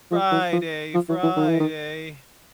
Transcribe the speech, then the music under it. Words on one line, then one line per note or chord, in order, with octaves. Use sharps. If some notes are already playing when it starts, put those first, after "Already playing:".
Friday. Friday.
F3
E3
F3
F3
E3
E3
D#3
E3
D#3